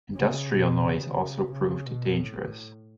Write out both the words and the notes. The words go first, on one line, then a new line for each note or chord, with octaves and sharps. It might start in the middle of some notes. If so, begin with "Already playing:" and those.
Industrial noise also proved dangerous.
C#3
B2
C#3
C#3
B2
A2